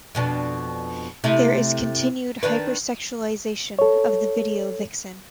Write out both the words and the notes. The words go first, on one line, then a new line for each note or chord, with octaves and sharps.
There is continued hyper-sexualization of the video vixen.
F2 B2 D4
C3 A3 E4
D#3 D4 B4
A4 C#5